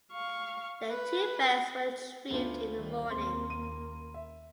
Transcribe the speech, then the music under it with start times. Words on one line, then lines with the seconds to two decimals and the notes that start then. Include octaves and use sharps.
The two bells were retrieved in the morning.
0.13 F5 C#6
0.89 B4
2.30 D2 B3 C#4 D4 F4 C5
2.77 D#3 G3
3.11 D#2 A#3 C4 C6
3.50 D#7
4.14 E5